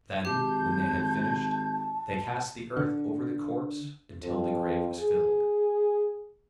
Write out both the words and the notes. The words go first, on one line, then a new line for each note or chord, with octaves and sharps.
Then, when they had finished, they cast the earth over the corpse, until the grave was filled.
G#1 G4 A5 G6
D3
F2
G#4